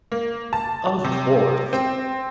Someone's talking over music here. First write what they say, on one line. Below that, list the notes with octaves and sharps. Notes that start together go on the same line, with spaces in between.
Of course.
A#3
A5
C3
C4